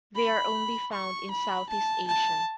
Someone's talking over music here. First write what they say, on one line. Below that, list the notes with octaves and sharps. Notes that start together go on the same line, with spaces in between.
They are only found in Southeast Asia.
B5
C#6
B5
A5
A5